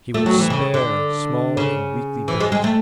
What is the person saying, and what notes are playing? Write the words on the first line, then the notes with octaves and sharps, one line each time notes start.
He was spare, small and weakly built.
A3
F#3
E3
C#3
D3
C#3
E3
G#3
G#3
A3